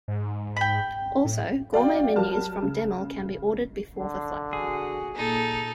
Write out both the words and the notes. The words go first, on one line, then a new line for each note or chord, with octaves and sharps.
Also, gourmet menus from Demel can be ordered before the flight.
G#2
G5 B5
A2
F#4 D5 F5 G5
F#3 G3 A#4 A5 F6
C#3
D3
F#4 G#4
A#2 D#4 A4